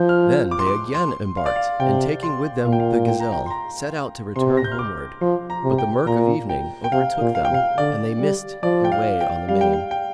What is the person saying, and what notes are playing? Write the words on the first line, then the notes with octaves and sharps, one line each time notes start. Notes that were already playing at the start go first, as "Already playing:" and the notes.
Then they again embarked and taking with them the gazelle, set out to return homeward, but the murk of evening overtook them and they missed their way on the main.
Already playing: F3 G6
F6
D6
C6
D6
C6
F5
D5
F5
C3 G5
C6
A#2 F5
G5
F5
G5
A#5
G5
C6
A#5
C3 C6
A#6
G6
F6
D6
F3 C6
A#5
C3
G5
A#2 A#5
G5
G5
C3 F5
A#2
F5
G5
C3
F5
D3 D5
G3
F3 D5
G5
F5
G5
G3 F5
G5
F5
G5